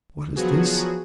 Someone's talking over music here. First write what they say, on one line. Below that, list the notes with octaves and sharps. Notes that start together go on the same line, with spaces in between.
"What is this?"
F3 F#3 B3 F#4 G#4